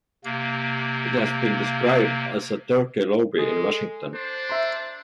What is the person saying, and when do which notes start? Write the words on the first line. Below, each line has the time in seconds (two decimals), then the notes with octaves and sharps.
It has been described as "a 'Turkey lobby' in Washington".
0.24 C3 A#3
3.39 G#3 A4
4.14 D4 C5
4.50 E5 A#5 C6